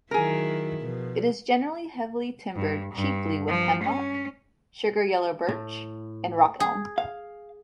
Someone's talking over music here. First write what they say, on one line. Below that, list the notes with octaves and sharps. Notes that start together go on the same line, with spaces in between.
It is generally heavily timbered chiefly with Hemlock, Sugar Yellow Birch, and Rock Elm.
D#3 F#3 E4 G#4 A#4
B2 F3
G2
G2
F3
C#4
A2
G#4
F5